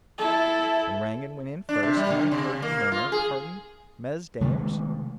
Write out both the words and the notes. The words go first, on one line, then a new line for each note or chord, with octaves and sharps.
Then Rangon went in first, and I heard him murmur 'Pardon, Mesdames.'...
E4 A4
D4
C3
G3
D3
C3
A#3
F4
G#4
C3 D#3 G#3 A3